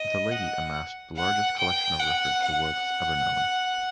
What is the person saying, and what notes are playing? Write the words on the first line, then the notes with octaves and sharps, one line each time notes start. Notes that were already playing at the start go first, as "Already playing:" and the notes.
The lady amassed the largest collection of records the world has ever known.
Already playing: D#5
F#5
F#5
G5
F#5
F#5